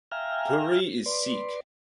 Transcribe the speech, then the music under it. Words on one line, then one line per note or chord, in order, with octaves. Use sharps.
Puri is Sikh.
E5 F5 G5 G#5 A#5 F6
B4 D5 C6